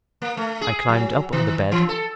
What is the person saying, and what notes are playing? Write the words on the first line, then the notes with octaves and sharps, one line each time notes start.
I climbed up on the bed.
A#3
A3
G#4
F#3
D#3
E3
A4